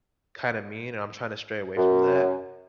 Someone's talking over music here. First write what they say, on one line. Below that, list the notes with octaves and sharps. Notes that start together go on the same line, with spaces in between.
kinda mean, and I'm trying to stray away from that.
F#2